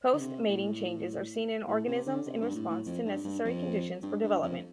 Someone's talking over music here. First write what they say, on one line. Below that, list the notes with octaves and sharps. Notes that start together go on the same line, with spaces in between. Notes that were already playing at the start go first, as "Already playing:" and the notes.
Post-mating changes are seen in organisms in response to necessary conditions for development.
D3
C3
A2
A2
C3
D3
C3
G2
A2
A2
F2
G2
G2
F2
G2
G2
F2